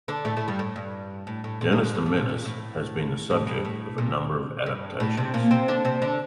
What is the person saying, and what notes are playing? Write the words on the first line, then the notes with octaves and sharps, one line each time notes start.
"Dennis the Menace" has been the subject of a number of adaptations.
D3 D4
A2 A3
A2 A3
G2 G3
A2
G2
A2
A2
A#2
D#2 D#3
D2 D3
A2
A2
A#2
A#2
A2
A2
G2
A2
A#2
G2
A2
C3
A#2 A#3
C3 C4
D3 D4
C3 C4
D3 D4